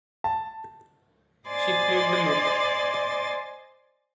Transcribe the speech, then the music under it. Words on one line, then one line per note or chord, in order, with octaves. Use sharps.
She played the lute.
A5
C5 D5 D#5 G#5 C6 A6